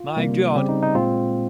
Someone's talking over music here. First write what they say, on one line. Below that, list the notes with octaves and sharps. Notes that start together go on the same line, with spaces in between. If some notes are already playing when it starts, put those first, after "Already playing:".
My God!
Already playing: F4
C3 G3 A#3
C#3 G3 C4 G4
D#4
D#4
A#2 G#3 C4 F4